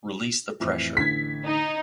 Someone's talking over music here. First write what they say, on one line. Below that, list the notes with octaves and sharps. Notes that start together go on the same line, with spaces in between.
Release the pressure.
F2 A2 E3
A1 D3 G#6 B6
D#4